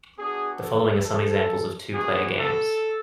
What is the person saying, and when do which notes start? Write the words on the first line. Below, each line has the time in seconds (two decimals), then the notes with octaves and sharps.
The following are some examples of two-player games.
0.17 B3 D4 F#4 G#4
0.62 A4
1.05 A4
1.93 G#3 B3 D4 F#4 G#4
2.37 A4